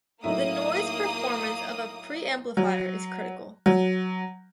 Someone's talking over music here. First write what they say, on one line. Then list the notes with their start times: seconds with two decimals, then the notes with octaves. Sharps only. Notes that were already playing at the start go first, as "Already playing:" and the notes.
The noise performance of a preamplifier is critical.
0.24 A2 F#3 A#3 D#4 E5 D#6
2.57 F#3
3.66 F#3